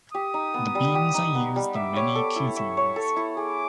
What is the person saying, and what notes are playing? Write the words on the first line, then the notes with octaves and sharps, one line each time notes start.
The beans are used in many cuisines.
G4 D#6
D#4
B3
G3
G4
D#4
B3
G3
E5 D6
C#5
A4
E4
E5 C#6
C#5
A4
E4
G#4 D6